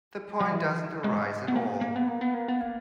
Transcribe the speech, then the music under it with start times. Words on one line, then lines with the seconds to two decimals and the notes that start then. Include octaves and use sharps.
The point doesn't arise at all.
0.40 F#3
0.51 E3
1.04 G#3
1.48 B3
1.56 A#3
1.81 A#3
1.96 B3
2.08 A#3
2.21 B3
2.34 A#3
2.48 B3
2.60 A#3